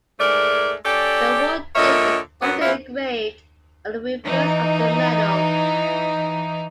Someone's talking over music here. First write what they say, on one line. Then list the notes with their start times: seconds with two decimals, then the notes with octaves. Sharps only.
The award date is also engraved on the reverse of the medal.
0.20 G#2 G#3 A3 A#4 D5
0.86 C#4 G4 A4 D5
1.76 A#2 D3 A#4 C#5 D#5 E5
2.43 F#2 F#3 B3
2.62 E2 E4 F4
4.24 E3 D#4